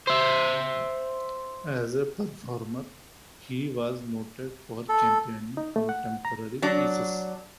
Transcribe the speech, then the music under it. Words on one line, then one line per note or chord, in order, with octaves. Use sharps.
As a performer, he was noted for championing contemporary pieces.
C5 E5
A4
D#4
A3
F#5
A#5
F#3 D4